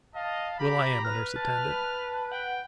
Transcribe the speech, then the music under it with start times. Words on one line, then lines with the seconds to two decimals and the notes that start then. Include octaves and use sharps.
Well, I am a nurse-attendant.
0.15 D#5 F5 A5
0.59 G4 A#5 B5
1.05 B4 F6
1.36 A5 F6
2.32 F#5 G5